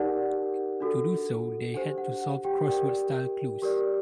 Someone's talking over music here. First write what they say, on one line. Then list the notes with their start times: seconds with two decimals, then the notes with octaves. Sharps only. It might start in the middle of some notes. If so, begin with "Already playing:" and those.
To do so, they had to solve crossword-style clues.
Already playing: D#4 G4 A#4 D5 F#5
0.80 D4 F#4 A4
1.74 D4 G4 C5 F#5
1.98 F#5
2.21 F#5
2.45 G4 G5
2.68 G4 A#4 D5 G5
3.62 G4 A#4 D5